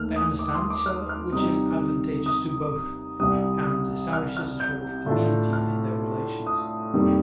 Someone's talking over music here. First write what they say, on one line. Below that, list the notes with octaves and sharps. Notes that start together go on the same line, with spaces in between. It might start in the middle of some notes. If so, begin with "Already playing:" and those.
They understand each other, which is advantageous to both, and establishes a sort of amenity in their relations.
Already playing: D#2 D#3 A3 F6
D#6
D6
C6
D6
F6
F6
C3 G3 C4 D#4 D#6
D#6
C2 C3 G3 D#6
F6
F6
G6
A2 A3 D4 F4
F6
D#6
F2 C3 D#3 G3 A#3